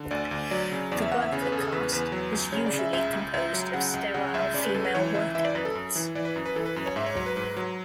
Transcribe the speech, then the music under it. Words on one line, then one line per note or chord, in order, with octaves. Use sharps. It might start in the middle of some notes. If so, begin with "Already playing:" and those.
The worker caste is usually composed of sterile female worker ants.
Already playing: D3
D2 D5
D2
F#3 D5
C#3
E2 D5
E5
E2 F#5
E5
C#3 C#5
B4
C#3 A4
G#4
A4
E2 B4
E2 B4
F#3
C#2
C#3 C#5
D5
C#3
E5
C#2 E5
C#2
C#2 E5
F#3
C#3 F#5
C#2
C#3 F#5
C#2 E5
C#3 D5
B4
C#2 A4
B4
E3 C#5
C#2 E5
E3 E5
D5
F#2 B4
A4
F#2
E3
E3 D5
B4
F#2
B4
E3 A4
B4
F#2 B4
C#5
G#2 E5
C#5
F#3 C#5
B4
G#2 B4
F#3